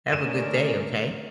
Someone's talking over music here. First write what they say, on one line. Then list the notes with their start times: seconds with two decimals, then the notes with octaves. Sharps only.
Have a good day okay.
0.12 D3 A3 C#4 A#4 D5 D#5 D#7 E7